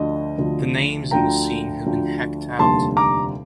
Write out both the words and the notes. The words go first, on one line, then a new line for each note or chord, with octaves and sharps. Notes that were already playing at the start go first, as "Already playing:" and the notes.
The names in the scene have been hacked out.
Already playing: D2 D3 F3 D#5
D2 D3 F3
D2 D3 F3 G5 A#5
D2 D3 F3
F1 D#2 D3 G3 A5 C6
A#5 D6